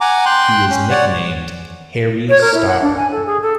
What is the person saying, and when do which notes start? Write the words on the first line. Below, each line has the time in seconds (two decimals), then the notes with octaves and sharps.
He is nicknamed "Hairy Star".
0.01 F#5 G#5 A#5 D6
0.26 G5 C6 F#6
0.70 C#4
0.90 C#5 D5 F#5
2.29 C#5
2.41 A#4
2.54 E4
2.67 F#5
2.82 D4
2.97 G#5
3.11 A4
3.26 G#4
3.42 A4